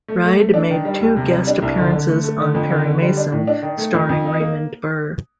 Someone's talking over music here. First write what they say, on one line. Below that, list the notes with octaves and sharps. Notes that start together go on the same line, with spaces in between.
Reid made two guest appearances on "Perry Mason" starring Raymond Burr.
A3
A3
A3
D4
D#3
G3
D#2
C3
G3
D4
C2
D3
D3
A3
A3
D3
F2
D3
D3
G3
D4
A2
D4
D#3
A3
F2
F2
D#4
A#3